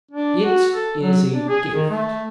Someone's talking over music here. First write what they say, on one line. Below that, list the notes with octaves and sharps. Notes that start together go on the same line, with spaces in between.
It is a gift....
D4
F#4
A4
F#3
D4
G#4
D#3
A3